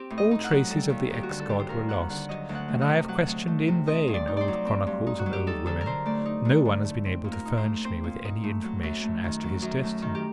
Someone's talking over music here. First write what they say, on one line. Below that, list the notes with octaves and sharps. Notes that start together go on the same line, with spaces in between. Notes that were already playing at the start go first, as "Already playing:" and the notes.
All traces of the ex-God were lost, and I have questioned in vain old chronicles and old women; no one has been able to furnish me with any information as to his destiny.
Already playing: C4 G4
A2
D#5
D#4
F#5
F#3
G3 A4
D#2
D#2 G4
F#4
D3
A4
G3 G4
C5
D#2 A#4
D#2 F#5
D3 F#5
F#3 D#5
D2
F#5
A3
D#5
C3
F#3 F#5
D2
A3
C3
C4 D#5
G2
D5
D#4
C5 D5
F#3
C4
G2
D#4
F#4
F#3
G4
D#4 A4
D3 A4
A#4
D3 C5
A3 D5
D#4
D3
D3
A3
C4
A#2
A#4
D#4
C5
A3
C4 C5
A#2
D#4
A3
F#3
F#2
A3
D#3
F#3
F#2
A3
D#3
G4